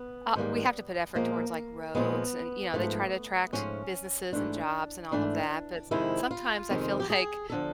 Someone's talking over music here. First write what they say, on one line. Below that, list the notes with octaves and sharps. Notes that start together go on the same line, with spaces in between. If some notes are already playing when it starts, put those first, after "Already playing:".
Uh, we have to put effort towards like roads and, you know, they try to attract businesses and jobs and all of that. But sometimes I feel like
Already playing: B3
G#2 D#3 G3 A#3
A#2 F3 G#3 A#3
A#2 F3 G#3 B3
G#2 F3 A3
G#2 F3 A3 C#4
G#2 E3 A3 D4
G#2 E3 A3 D4
F2 C3 D#3 G#3 E4
F4
F2 C3 D#3 G#3
G4
G#4
D3 F3 A4